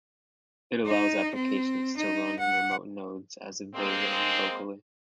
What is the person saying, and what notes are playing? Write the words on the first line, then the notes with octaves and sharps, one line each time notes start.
It allows applications to run in remote nodes as if they run locally.
D#4
C4
D#4
F#5
G#3 A#3 C4